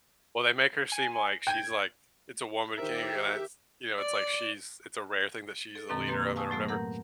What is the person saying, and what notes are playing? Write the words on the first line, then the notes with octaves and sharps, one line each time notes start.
Well, they make her seem like she's, like it's a woman king, and it's, you know, it's like she's it's a rare thing that she's the leader of it or whatever,
G#5
G5 G#6
D#3 G4 A#4 C5 E5
D5
A4
F#2 B2 D#3 G#3 C4
F#2 A#3 G4 B4 C6
F5 G#5 A5 C#6 D#6 E6
A2 F#3 A3 B3
A#4 F#5 A#5 G6